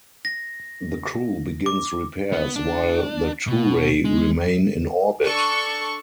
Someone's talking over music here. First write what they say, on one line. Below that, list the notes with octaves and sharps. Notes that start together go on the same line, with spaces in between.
The crew begins repairs while the Turei remain in orbit.
A#6
D6
B3
D4
B2
G#3
D4 A4 C#6